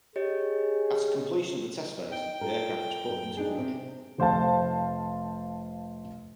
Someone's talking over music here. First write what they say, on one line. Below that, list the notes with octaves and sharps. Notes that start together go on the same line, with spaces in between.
After completion of the test phase, the aircraft was put into production.
G4 G#4 C#5 D#5
D#4 G5
F4 A4 A#4
F#2
D4 D#4 G#4
C3 C4
F1 C5 F5 A5